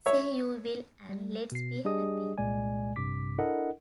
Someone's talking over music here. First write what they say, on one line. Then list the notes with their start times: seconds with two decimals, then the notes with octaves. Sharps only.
Say you will, and let's be happy.
0.06 C#5 E5
1.09 G3
1.52 B2 C7
1.85 G3 D4 G4 G#4 D#5 D#6
2.38 C2 A#2 G#3 D5 G#5
2.96 A#1 G2 C3 D6 B6
3.38 D4 E4 A4 A#4 D#5 F#5